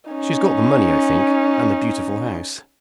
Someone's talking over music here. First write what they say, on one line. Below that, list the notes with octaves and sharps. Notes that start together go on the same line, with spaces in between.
"She has got the money, I think--and the beautiful house."
C#4 D#4